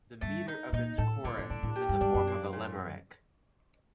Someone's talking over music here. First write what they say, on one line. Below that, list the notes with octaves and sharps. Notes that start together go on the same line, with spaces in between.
The meter of its chorus is in the form of a Limerick.
G2 A3
D#4
A#2 D#4
A2 A4
A2 D3
A2
A2 D4
A2
G3
G2
G2 D4
F#2
A#3
A#2